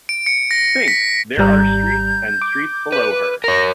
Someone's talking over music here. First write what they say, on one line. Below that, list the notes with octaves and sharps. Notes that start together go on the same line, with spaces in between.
Think, there are streets and streets below her!
D7
C#7
A#6
B6
G#1 G3 A#5 G6
D6
B4
A#4 C#5 A#6